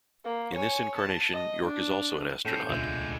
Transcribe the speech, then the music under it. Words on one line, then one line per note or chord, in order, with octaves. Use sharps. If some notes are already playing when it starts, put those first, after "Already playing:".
In this incarnation, York is also an astronaut.
A#3
C#5 G#5
A5
D#5
D4
A2 C#4 A4 A5 G6
D#1 C#2 B2 D3 G#3 D4 F4 E5